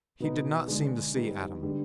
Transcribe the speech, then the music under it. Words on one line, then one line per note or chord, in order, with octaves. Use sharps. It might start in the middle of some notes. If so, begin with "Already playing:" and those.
He did not seem to see Adam.
B2 B3 D#4
D3 G#3 D4
G3 B3 D#4
D3 G3 B3 D4